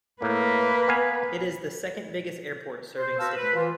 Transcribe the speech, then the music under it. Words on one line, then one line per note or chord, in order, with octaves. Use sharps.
It is the second biggest airport serving Sydney.
A2 A#3 B4
B3 F5 G#5
C5
F#4 B4 C5 F5 A5 E6
B4
E3 F4